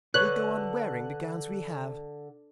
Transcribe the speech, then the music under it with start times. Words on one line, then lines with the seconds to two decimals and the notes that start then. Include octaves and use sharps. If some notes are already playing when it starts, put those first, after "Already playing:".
We'll go on wearing the gowns we have.
0.14 D3 B4 C#5 F#6